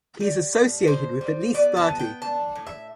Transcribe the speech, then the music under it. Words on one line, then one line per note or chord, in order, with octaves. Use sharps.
He is associated with at least thirty.
G3
A2
A2 C5
G3
B3 D5
A5
B3
G5
D4 A5
A2
E5